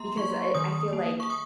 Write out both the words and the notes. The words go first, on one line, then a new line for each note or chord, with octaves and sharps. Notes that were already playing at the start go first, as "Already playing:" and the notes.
because, uh, eh, I feel, like,
Already playing: A#3 A#5 C6
F#3 C#6
D#3 D#6
A#3
C#6
D#6